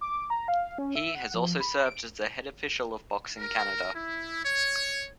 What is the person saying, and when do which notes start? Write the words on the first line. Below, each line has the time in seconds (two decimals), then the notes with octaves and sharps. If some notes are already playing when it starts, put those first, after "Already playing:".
He has also served as the Head Official of Boxing Canada.
0.01 D6
0.30 A#5
0.48 F5
0.78 C#4
0.96 E5
1.15 F#5
1.34 F3
1.60 B5
1.86 D7
3.37 A#4
3.96 E4
4.45 C#5